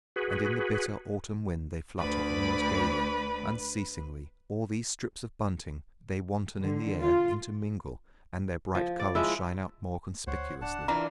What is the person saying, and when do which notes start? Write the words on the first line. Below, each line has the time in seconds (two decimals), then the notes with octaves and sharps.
And in the bitter autumn wind they flutter almost gaily, unceasingly, all these strips of bunting, they wanton in the air, intermingle, and their bright colours shine out more conspicuously.
0.16 F#4 G#4 B4
1.99 D2 B4 D5 B5
6.60 D3
7.01 F4
8.75 F3
9.00 D5
9.15 F3 G#3 E4
10.27 D2 C5 C#5 F#5
10.61 D1 D4 F#5 A5
10.88 E3 D4 E4 F4 A#4 A#5